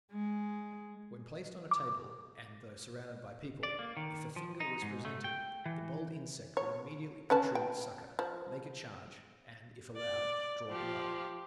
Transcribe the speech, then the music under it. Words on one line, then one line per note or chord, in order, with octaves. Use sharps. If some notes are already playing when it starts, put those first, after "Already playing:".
When placed on a table, and though surrounded by people, if a finger was presented, the bold insect would immediately protrude its sucker, make a charge, and if allowed, draw blood.
G#3
D6
D5
A#3
D#3
F3
D#4
G#2
A3
G5
E3
C#5
C#4 B4 A5
G5
F3
D5
F3 G4